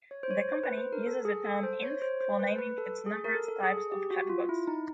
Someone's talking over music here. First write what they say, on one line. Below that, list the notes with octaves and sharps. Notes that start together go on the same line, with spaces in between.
The company uses the term "inf" for naming its numerous types of chat bots.
C#5
C5
C#5
C5
B4
C5
A#4
A4
G#4
A4
C5
C#5
C#5
C5
C5
B4
B4
A4
G#4
A#4
A4
A4
G#4
G#4
G4
F#4
F4
E4
D#4